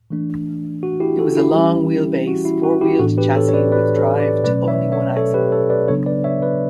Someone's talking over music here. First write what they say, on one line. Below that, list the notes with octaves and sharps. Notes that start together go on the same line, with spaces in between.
It was a long wheelbase four wheeled chassis with drive to only one axle.
E3 A3 D4
F#4
E4 G4
F#4 A4
E4 G4
E3 G3 C#4
F#4
E4
F#4
E4 G4
A2 E3 B3 D4 F#4 A4
G4 B4
A4 C#5
C#5
B4 D5
B4 D5
A4 C#5
B4 D5
B2 F#3 A3 C#4 B4 D5
C#5 E5
C#5 E5
A4 C#5
G4 B4
A4 C#5
B4 D5
C#3 F#3 B3 D4 A4 C#5
B4 D5
C#5 E5
B4 D5